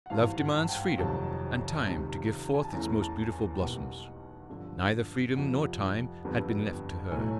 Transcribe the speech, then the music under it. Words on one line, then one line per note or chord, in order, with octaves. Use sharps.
Love demands freedom and time to give forth its most beautiful blossoms; neither freedom nor time had been left to her.
F#5
G#1 G2 E3 F5
F#5
G5
F1 F2 C3 D#3 F#3 A5
C#2 C3 D#3
G#5
A5
E2 C#3 E3 A3 A#5
A5
G#5
G5
B1 B2 G3 A#3 F#5
G2 D3 F3
F2 C3 F3 F#5
G1 F2 D3 G3 B3
B1 A2 F#3 A3 G#5